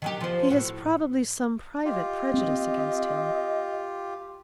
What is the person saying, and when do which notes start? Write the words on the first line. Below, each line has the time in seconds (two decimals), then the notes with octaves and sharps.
"He has probably some private prejudice against him."
0.02 D#3 F#3 G4
0.21 F3 C5
0.50 A2 F#4
1.85 F4 G4 D#5
2.34 C4